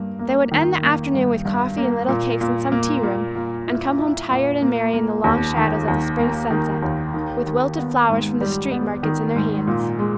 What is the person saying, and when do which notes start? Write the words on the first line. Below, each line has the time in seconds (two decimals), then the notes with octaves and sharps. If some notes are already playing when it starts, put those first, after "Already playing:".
They would end the afternoon with coffee and little cakes in some tea-room, and come home tired and merry in the long shadows of the spring sunset, with wilted flowers from the street markets in their hands.
Already playing: G2 A#3
0.19 A#3
0.51 D#3
0.83 A#3
1.14 G2
1.45 G2
1.78 A#3
2.08 A#2
2.41 A#2
2.72 A#3
3.03 A#2
3.35 A#2
3.67 E4
3.99 E4
4.31 A#2
4.62 A#3
4.93 A#3
5.24 D#2
5.57 D#3
5.88 D#2
6.19 A#3
6.50 D#3
6.83 D#2
7.14 D#3
7.46 D#3
7.78 B3
8.09 G#2
8.41 G3
8.72 B3
9.03 D#3
9.35 G#2
9.67 A#2
9.99 G#3